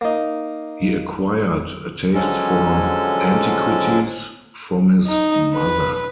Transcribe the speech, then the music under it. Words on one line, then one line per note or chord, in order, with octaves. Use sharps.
He acquired a taste for antiquities from his mother.
A#3 D#4
D3 F3 F#3 G#3 C#4 A4
D#4
B4